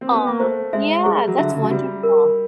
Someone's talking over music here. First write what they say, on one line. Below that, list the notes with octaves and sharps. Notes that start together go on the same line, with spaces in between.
Aw, yeah, that's wonderful.
C4
B3
A#3
A3 C5
G#3 E5
G3 G#4
F#3
D3 E5
C#3
F#3
G3 F#4
A#4